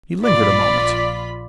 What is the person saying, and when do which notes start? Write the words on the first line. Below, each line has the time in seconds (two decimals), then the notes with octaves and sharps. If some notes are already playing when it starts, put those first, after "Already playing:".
He lingered a moment.
0.25 A#1 F4 D5 B5